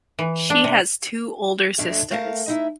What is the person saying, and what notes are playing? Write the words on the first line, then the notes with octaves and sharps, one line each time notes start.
She has two older sisters.
E3
D4
C3
F2 A3 D4 F#4 C#5 E5
A3 A#4 F5 F#5 A5
D#4 E4 E5